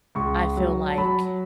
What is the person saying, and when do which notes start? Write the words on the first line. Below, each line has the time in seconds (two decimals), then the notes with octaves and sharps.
I feel like
0.15 C#2 C#6
0.57 F#3
0.90 A5
0.98 F#3 B5